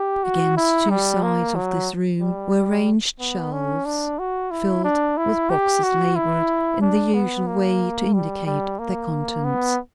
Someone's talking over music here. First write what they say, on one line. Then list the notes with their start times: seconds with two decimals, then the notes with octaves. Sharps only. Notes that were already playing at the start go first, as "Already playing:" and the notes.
Against two sides of this room were arranged shelves filled with boxes labeled in the usual way to indicate their contents.
Already playing: G4
0.24 F#4
0.57 E4
0.90 G3
1.23 A#3
1.55 F#3
2.21 G3
3.20 B3
3.53 C#4
3.86 D4
4.19 F#4
4.51 E4
4.84 D4
5.17 E4
5.50 G4
5.83 F#4
6.16 E4
6.81 D4
7.14 B3
7.47 A#3
8.13 G3
8.46 G3
8.79 A#3
9.44 B3